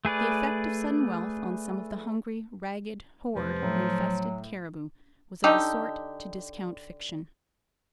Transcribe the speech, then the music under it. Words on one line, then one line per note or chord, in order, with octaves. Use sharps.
The effect of sudden wealth on some of the hungry, ragged horde who infested Cariboo was of a sort to discount fiction.
A3 G#4 B4 D5
F1 F3 B4
A2 F#3
D3 D#4 G4